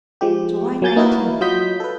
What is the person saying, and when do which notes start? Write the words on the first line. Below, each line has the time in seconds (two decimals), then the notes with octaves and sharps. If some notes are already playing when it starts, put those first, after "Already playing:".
July Nineteenth.
0.21 F3 G#3 G4
0.82 F#3 A#3 G#5 G6 A6
0.96 A#3 D#4 E4 F#4 A#4 B4
1.41 F#3 F4 D#5 G6 B6
1.80 A4 B4